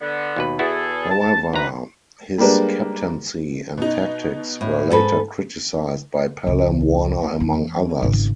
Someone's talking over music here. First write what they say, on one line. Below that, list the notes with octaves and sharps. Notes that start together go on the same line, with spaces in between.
However, his captaincy and tactics were later criticised, by Pelham Warner among others.
D3 B3
D#2 B2 B4
E2 B3 E4 F#4 G#4 A4
A5
D2 B4 A#5 B5
G3 G#3 A#3 D4 B4
B2 D#4
A2
G#2 A4 B4
C#2
E2
G#1 C#3